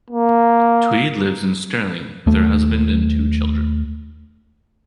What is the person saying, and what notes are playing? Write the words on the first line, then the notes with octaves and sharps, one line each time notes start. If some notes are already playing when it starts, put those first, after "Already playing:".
Tweed lives in Stirling with her husband and two children.
A#3
D#2 A3